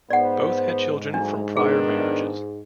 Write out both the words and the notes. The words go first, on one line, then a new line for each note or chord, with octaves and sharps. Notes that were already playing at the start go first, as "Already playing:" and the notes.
Both had children from prior marriages.
G#2 B3 C5 D5 F#5
D2 F#3 D4
D#3 B3 D4 G#4